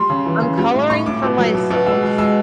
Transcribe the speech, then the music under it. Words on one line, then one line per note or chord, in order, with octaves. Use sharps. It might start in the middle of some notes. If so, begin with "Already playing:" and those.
I'm coloring for myself,
Already playing: G3 C6
C#3
E3
C#3
G3
A2
A2 C#6
A2 D6
B2
F#3
B2
B2
G#3 E6
G#3
G#3 E6